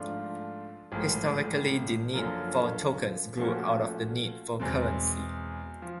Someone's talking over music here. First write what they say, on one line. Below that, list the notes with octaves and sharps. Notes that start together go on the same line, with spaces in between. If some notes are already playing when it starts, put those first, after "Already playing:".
Historically the need for tokens grew out of the need for currency.
Already playing: G#2 F3 A3 D4 F4
A1 G#2 F3 A3
F#2 D3 F3 A#3
A#2 F3 A3 C#4 F#4
E2 B2 G#3 C4
F3